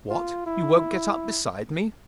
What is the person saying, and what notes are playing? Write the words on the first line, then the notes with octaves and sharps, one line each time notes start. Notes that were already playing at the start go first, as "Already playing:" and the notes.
"What--you won't get up beside me?"
F4
E4